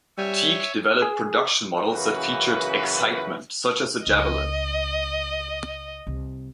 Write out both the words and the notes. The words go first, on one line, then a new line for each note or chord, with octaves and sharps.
Teague developed production models that featured "excitement" such as the Javelin.
G3 C#5 E5 G#5
G#4
F#2 C#3 E3 A#3 F#4 B4
C#2 D#5
C2